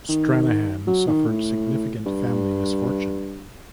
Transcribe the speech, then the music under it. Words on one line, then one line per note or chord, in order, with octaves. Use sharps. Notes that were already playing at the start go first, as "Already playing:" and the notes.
Stranahan suffered significant family misfortune.
D#3
F#3
D#3
A2
G2